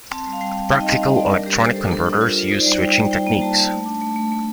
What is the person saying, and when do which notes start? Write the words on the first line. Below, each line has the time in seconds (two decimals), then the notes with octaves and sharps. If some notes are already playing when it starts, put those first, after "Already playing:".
Practical electronic converters use switching techniques.
0.11 C4 A5
0.26 G3
0.33 F5
0.41 G3 G5
0.56 C4
0.70 D#4 G5
0.81 D#5
0.86 C4 F5
1.02 G3 D#5
1.16 G3 D5
1.30 D4 A#4
1.46 G3 G4
1.61 G3 C5
1.76 G3 A4
1.91 D4 A4
2.06 D4
2.21 F4 A#4
2.36 F4
2.51 D#4 C5
2.60 D5
2.66 G3 C5
2.81 G3 G5
2.96 G3
3.11 G3 G5
3.27 A#3
3.34 G5
3.41 G3 A5
3.56 G3
3.71 A3 A5
3.86 D4
4.01 A3
4.16 A3
4.32 A3